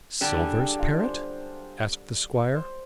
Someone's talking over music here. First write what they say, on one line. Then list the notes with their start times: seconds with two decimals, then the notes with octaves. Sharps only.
"Silver's parrot?" asked the squire.
0.21 D3 G3 D4 G4 G5
0.41 G#4 G#5
0.60 G4 G5
0.79 F4 F5
1.00 C5
2.55 C5